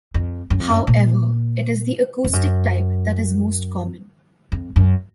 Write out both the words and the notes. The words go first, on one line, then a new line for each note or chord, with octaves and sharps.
However, it is the acoustic type that is most common.
F2
F#2
F2
F#2
A#2
F2
F#2
F2
F#2